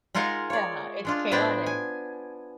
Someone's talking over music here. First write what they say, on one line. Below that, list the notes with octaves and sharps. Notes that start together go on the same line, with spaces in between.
yeah, it's chaotic,
G#3 D#4 F4 A#4 F5 F#5
C#5 D5
G#3 D4 F4
A2 B3 D4 C5 D5 G5
G#5